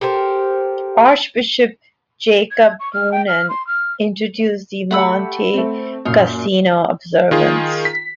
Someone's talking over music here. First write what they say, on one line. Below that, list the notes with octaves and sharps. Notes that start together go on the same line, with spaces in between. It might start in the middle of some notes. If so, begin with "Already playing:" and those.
Archbishop Jacob Boonen introduced the Monte Cassino observance.
G4 A4 A#4 C5
G#6
C#6
F6
G5
F6
C6
F6
A3 G4 A4 F#5 B5 E6
A3 C4
F#2 A#2 D#4 F5
D#3 F4 G#4
B6